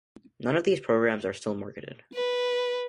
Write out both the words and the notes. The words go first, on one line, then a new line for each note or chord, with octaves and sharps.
None of these programs are still marketed.
B4